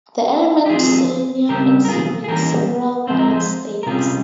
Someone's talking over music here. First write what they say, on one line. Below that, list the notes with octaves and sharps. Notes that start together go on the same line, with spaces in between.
The element selenium exhibits several valence states.
G4
F3 C4 F4 G#4
C#3 G3 C4 G4 A#4
A#4
F4 G#4
G#4
E3 G3 A#3 C#4 G4 A#4
F3 G#3 C4 C5
A#4
G#4 C5
A#4
C3 G3 C#4 F4 G#4